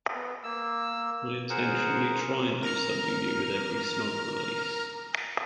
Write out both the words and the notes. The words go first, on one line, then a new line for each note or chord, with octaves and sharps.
I intentionally try and do something new with every Snog release.
B3
A#3 E6
G#4 A#4 C5 F#5
A#4 A#5 F6